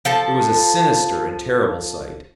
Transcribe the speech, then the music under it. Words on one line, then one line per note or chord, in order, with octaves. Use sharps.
It was a sinister and terrible sight.
F3 A4 A5